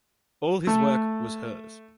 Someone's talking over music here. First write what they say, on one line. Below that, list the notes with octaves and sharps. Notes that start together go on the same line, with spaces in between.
All his work was hers.
A3